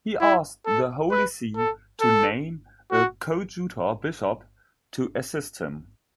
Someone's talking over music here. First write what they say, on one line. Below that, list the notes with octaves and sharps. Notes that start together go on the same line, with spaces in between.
He asked the Holy See to name a coadjutor bishop to assist him.
E4
A4
B4
A4
A4
F#4